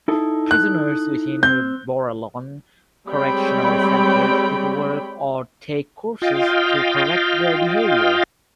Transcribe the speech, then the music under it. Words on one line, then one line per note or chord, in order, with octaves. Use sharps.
Prisoners within Borallon Correctional Centre could work or take courses to correct their behavior.
D#4 E4 A4
F#6
C4 G6
G3 G#3 C4 C#5 G5 B5
F4 D#5 F5 G5